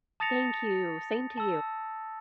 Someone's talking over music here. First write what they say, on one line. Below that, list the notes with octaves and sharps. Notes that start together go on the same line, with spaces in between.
Thank you, same to you.
A5 D#6 A6 A#6 C#7 F7
A5 E6